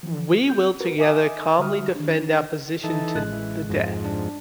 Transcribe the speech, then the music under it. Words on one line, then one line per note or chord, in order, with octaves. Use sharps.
We will together calmly defend our position to the death.
E3 F3
C4 G6
F#4 A#4 B4
D#5 E5 G#5 D6 D#6
D3 G3 F#4 E5 D#6 F6
D#3 D4
E3 D#4 A4
A1 G#3 F#6
E3
F2 G#2
D4